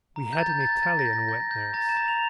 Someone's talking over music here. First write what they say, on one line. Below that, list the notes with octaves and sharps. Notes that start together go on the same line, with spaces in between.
We had an Italian wet-nurse.
A#5
G6
A#5 A6
G6
A#5 A6
G6 A6
A#6
G6
A#6
G6
G6
A#5 A6
E7
A#5
F7